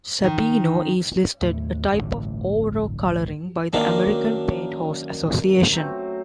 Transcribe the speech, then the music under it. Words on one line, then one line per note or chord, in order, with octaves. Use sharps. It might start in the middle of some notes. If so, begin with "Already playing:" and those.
"Sabino" is listed a type of overo coloring by the American Paint Horse Association.
D#3
D#2 A2 A3
D1 A1 G2
F#2 D#3 A#3 D4 D6
F#3 A3 C4